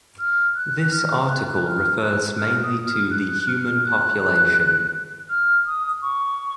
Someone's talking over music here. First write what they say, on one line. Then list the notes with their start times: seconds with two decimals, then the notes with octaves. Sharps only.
This article refers mainly to the human population.
0.19 F6
0.56 F#6
0.92 F6
1.29 F#6
1.65 F6
2.01 F#6
2.38 F6
2.63 D#6
2.86 F6
3.10 F#6
3.39 F#6
3.48 F6
3.84 F#6
5.30 F6
5.66 D#6
6.02 C#6